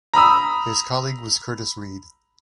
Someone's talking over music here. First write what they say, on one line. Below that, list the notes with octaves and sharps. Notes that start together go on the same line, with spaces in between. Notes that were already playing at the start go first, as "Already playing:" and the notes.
His colleague was Curtis Reid.
A#5 B5 D#6 E6